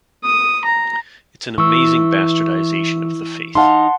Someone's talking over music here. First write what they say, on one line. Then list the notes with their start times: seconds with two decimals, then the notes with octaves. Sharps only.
It's an amazing bastardization of the faith.
0.24 D#6
0.65 A#5
1.58 E3 C#6 E6
3.55 D#4 F5 F#5 A5 C6